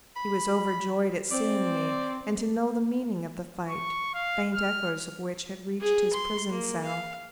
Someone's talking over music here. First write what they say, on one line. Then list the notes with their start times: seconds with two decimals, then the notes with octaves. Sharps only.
He was overjoyed at seeing me, and to know the meaning of the fight, faint echoes of which had reached his prison cell.
0.16 B5
1.31 C4 D5
3.68 C#6
4.14 F5
4.55 F6
5.81 G#4
6.13 C6
6.51 A#3
6.84 F5